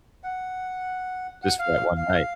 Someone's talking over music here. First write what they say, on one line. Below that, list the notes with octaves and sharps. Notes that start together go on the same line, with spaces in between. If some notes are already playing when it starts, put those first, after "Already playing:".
just for that one night.
F#5
F#5
F5
F5